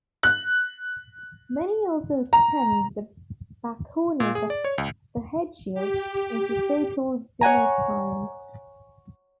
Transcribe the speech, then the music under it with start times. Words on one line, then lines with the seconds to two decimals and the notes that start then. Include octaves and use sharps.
Many also extend the backcorners of the headshield into so-called genal spines.
0.23 F#6
2.33 A#5
4.20 A#2
4.35 G#4
4.50 D5
4.65 C#5
4.78 C#2
5.74 G4
7.41 C#5 F#5 G#5 A#5